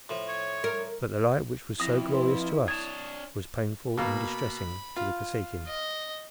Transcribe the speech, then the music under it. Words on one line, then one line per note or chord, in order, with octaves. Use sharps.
But the light which was so glorious to us was painful and distressing to the Kosekin.
A2 F3
C#5
A#4
F2 E4 D#6 A#6
B4 C6
D4 C#5 D#6 G#6 A6 E7
B2 A#3 B5
F4
D#5